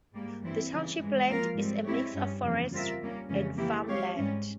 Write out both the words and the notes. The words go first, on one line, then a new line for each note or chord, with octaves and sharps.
The township's land is a mix of forest and farmland.
G#2 G3 A#3
G2 E3 G3 C4 E4
C#3 E3 G3
G#2 E3 G#3
F3 A#3 F4 A#4 F5
G#2 G3 C4
G#3 C4 E4 G4 C#5
G2 G3 C#4
F2 C#3 E3 A#3
G3 C4 F4 A#4 E5
G3 A#3 C#4
F2 C#3 E3 G#3 C#4
E3 A#3 E4 G4
G#3 C4 G4 C#5 F5
G#2 G3 C#4